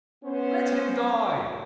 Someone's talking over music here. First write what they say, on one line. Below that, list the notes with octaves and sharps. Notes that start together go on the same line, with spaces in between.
'Let him die!
B3 C#4 C5